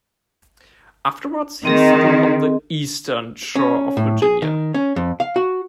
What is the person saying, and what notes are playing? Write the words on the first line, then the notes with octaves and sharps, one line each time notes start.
Afterwards, he settled on the eastern shore of Virginia.
D#3 C4 G#4 D#5
C#4
A2
G#4
D#3
C#4
F2
F5
F#4